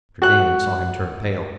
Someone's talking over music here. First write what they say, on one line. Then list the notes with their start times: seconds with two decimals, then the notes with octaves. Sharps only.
Mr. Damon saw him turn pale.
0.22 F#4 F#6